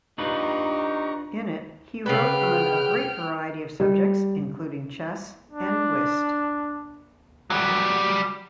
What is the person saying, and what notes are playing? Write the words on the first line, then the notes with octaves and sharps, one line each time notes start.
In it he wrote on a great variety of subjects, including chess and whist.
D4 D#4 F4 G4 B4 A#5 C#6
C#3 B3 B4 G5 F6
G3
D4
F#3 G3